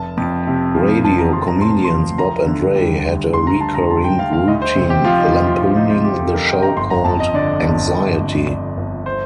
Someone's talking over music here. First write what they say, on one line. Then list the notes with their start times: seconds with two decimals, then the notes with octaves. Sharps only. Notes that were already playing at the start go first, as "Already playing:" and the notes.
Radio comedians Bob and Ray had a recurring routine lampooning the show called "Anxiety".
Already playing: F1 A5
0.17 F2
0.47 C3
0.75 F3
1.04 F1 A5
1.18 A#5
1.32 F2 C6
1.47 A#5
1.61 C3 C6
1.84 C6
1.90 F3
2.18 D2 A#5
2.47 D3
2.75 G3
3.05 D2
3.33 D2 C6
3.47 A#5
3.61 D3 A5
3.74 A#5
3.90 G3 A5
4.04 G5
4.18 D2 F5
4.33 F5
4.47 D2 D#5
4.62 C5
4.76 C3
4.90 G4
5.04 F3 F4
5.19 D#4
5.33 D2 F4
5.47 F4
5.62 D2 F4
5.76 D#4
5.91 C3 F4
6.04 G4
6.20 F3 A4
6.34 A#4
6.48 D2 G5
6.62 A#5
6.77 G1 C6
6.90 A#5
7.05 F2 A5
7.20 D#5
7.34 D3 D5
7.62 G1
7.92 G1
8.20 F2
8.48 D3 D5
8.77 G1
9.06 C5